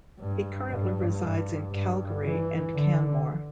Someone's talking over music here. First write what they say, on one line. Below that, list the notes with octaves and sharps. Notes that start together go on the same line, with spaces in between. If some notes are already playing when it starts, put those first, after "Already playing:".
He currently resides in Calgary and Canmore.
G2
G2
G2
G2
E3
D3